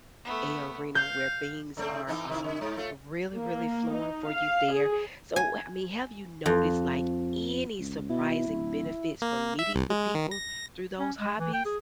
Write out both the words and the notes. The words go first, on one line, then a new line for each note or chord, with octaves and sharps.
a arena where things are, um, really, really flowing for you there. So, wha I mean, have you noticed, like, any surprising benefits from meeting the people through those hobbies
A3 B3
F5 G6
C#3 A3 C4
E3 C4 D#4
D#3 C4 E4
D3
G#2
A3 F4
A#3
D#4
F5
G#4
G#5
F2
C#2
B2 E4
D1
A#3
E5
C2
G#3
D#3
A#6
C#4
G#3
E3
G5
G#4